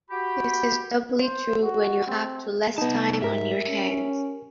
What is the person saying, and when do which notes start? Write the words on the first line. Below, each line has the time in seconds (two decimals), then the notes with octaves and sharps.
This is doubly true when you have to less time on your hands.
0.11 F#4 G4 B5
1.21 C5
1.62 F#4
2.07 C4
2.78 C2 B3 D#4 A5
3.22 G#2 G4 A#4 E5
3.69 C#4